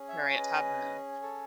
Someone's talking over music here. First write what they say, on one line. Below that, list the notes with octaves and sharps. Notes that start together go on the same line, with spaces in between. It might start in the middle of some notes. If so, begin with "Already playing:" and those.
Harriet Tubman.
Already playing: C#4 G#4
C#5 E5
C#5
B4 D#5
A4 C#5